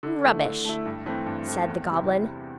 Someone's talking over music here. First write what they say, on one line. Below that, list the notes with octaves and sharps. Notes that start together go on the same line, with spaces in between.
"Rubbish!" said the Goblin.
D3
A3 E4
D3
A3 E4
G2
E3 A3 C4
G2
E3 A3 C4
E2
C3 E3 G3 C4